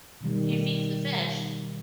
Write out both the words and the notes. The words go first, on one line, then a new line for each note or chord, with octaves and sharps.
He feeds the fish,
B2 D#3 G3